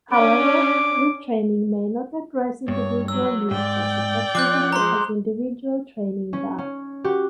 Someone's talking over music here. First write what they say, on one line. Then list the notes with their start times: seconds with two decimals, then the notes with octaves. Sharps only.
However, group training may not address individual needs as effectively as individual training does.
0.13 C#4 D4 D6
2.68 G2 C#5
3.08 F#3 E6
3.51 G#2 D5 G5
4.35 F3 D6 F#6 G6
4.72 G#3 C5 A#5 C6
6.33 C#4
6.58 C#4
7.04 F#4 G4